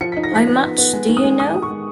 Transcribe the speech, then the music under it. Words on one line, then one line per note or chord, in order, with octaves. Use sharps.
How much do you know?
F3 C#7
D#4 B6
A#6
F3 B6
B3
D#4
B3
G#3
D#3
D#6
G#3
D#3 D#6
G#3
C#6
G#3